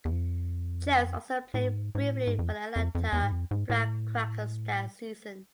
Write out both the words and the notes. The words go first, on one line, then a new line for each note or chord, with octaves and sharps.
Jones also played briefly for the Atlanta Black Crackers that season.
E2
F2
A2
G#2
G#2
A2
G#2
F2
F2
F2
E2
G#2
F2
G#2
A2